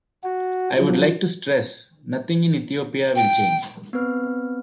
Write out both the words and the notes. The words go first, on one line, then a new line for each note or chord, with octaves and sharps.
I would like to stress, nothing in Ethiopia will change.
F#4
F3 F#3
G5
B3 C4 B4 F6